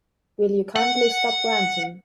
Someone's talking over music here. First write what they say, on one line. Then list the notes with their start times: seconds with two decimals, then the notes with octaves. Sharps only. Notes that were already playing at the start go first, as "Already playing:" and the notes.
Will you kindly stop ranting?
0.76 F#5